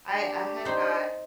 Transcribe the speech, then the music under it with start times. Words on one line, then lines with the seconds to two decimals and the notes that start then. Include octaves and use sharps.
I I had not
0.14 D4 G4
0.65 D4 D#4 C5